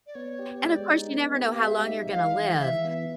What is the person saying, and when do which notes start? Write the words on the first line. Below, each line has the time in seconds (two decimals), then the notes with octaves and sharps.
And, of course, you never know how long you're gonna live,
0.07 D5
0.15 B3 C#5
0.39 G4
0.56 C#5
0.64 G#3 D5
0.88 D#4
1.14 B3
1.38 G4
1.55 F5
1.62 G#3 E5
1.86 D#4
2.10 G#3 F5
2.35 E3
2.60 E3 E5
2.85 B3